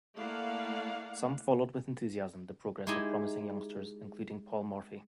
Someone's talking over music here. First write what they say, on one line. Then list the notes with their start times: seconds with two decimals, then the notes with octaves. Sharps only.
Some followed with enthusiasm the progress of promising youngsters, including Paul Morphy.
0.16 A3 A#3 E4 D5 F5 F#5
2.87 G#3 D#4 E4 G4 G#4